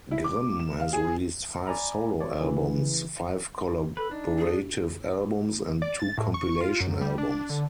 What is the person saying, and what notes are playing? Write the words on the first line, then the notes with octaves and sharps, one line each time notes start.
Grimm has released five solo albums, five collaborative albums and two compilation albums.
E4
D6
D6
E7
F5
G#4
D5 G#5 A#5 B5
F#4 C#5 D5
C#3 E3
A4 B4
D4 D#4
G#4
D5
A6
A2
C#6
F4
F#2
G3
D4
D3